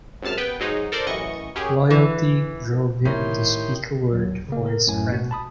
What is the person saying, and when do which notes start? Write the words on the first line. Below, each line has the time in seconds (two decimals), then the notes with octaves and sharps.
Loyalty drove him to speak a word for his friend.
0.22 G#1 F#2 C3 A5 F6
0.37 B3 B4 G5
0.60 G#2 F#3 G#3 D#4
0.92 A4 A#4 C5 D5
1.06 A1 F#2 E3 D#5 C#6
1.55 F#2 C#4 G4 G#4
1.90 E3
3.05 A2 D#3 D#4 E4 G4 A#4 C#5 C6
4.12 G#1 D#2 F#3
4.49 C#3 A#3
4.66 A#4
4.87 F#2 A2 G#5
5.12 B2 F#4
5.31 A5 B5 D#6